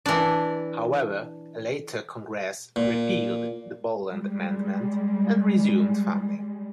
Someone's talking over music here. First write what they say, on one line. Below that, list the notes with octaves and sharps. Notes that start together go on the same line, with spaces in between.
However, a later Congress repealed the Boland Amendment and resumed funding.
E3 D4
A#2
G3 G#3